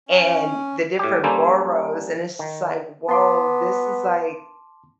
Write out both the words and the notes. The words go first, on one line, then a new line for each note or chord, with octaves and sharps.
and the different boroughs, and it's just like, "Woah, this is like
C#4
A2 G4
G3 A#3 C#4 A4 C5 G#5
D#3
B3 A5 C6 D6